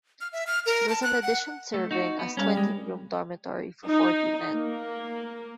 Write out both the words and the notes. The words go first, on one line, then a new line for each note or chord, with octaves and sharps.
It was an addition serving as a twenty-room dormitory for forty men.
F6
E5
F6
A#4
A5
F#6
F#5
A3
D#4 F#4
B3
G3 C#4 A#4 F5
G#3
D#4
A#3